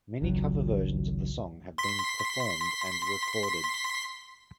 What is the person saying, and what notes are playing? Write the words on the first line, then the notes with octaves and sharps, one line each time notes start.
Many cover versions of the song have been performed and recorded.
G#1 C#2 F#2 F#3
C6 B6